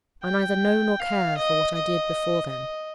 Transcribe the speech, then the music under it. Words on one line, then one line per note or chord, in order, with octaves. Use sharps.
I neither know nor care for what I did before then.
G5
F5
D#5
D#5
D#5